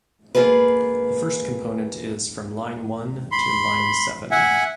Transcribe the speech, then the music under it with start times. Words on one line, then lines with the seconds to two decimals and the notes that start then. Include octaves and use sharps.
The first component is from line one to line seven.
0.35 A#3 F4 G#4 B4
3.32 B5 C6
4.31 E5 F#5 G#5